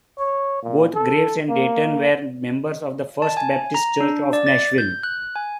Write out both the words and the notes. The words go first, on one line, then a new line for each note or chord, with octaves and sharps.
Both Graves and Dayton were members of the First Baptist Church of Nashville.
C#5
A#2
A4
A#3
A5
G#5
A#5
D4
D5
A6
G6
F#6
G#5